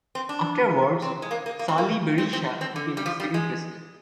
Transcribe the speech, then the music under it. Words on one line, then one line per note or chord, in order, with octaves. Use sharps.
Afterwards, Sali Berisha became the second President.
C4
D4
C4
G#3
A#3
A#3
A#3
C4
A#3
C4
C4
C4
D3
G3
F3
G3
G#3